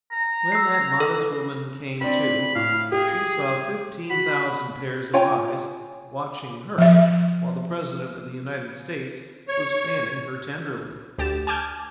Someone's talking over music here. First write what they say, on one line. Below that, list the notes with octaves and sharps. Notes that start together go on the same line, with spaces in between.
When that modest woman "came to," she saw fifteen thousand pairs of eyes watching her while the President of the United States was fanning her tenderly.
A#5
E6 C7
A4
C4 D4 B5
A2 F5
G4 G#4
F#4 B5
F4 C#5 G5 G#5 A#5
F3 E5
C#5
D2 G4 A6 E7
G#5 A5 D6 F6 G6 G#6